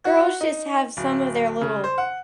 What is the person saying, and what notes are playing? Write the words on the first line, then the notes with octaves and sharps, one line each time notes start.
girls just have some of their little
F#4
D#4
D1
C#3
C5
F#5